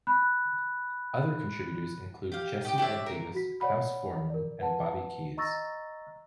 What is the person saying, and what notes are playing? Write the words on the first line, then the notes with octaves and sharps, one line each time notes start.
Other contributors include Jesse Ed Davis, Klaus Voormann, and Bobby Keys.
B5 F#6
G4 F5
G4 D#5
D4 G4 C#5 E5
A#4
F#4 B6
C#5 D5 F#5 B5
A#4 D5
B4 F#5 A5
D#5 A#5 C#6 E6 A6 A#6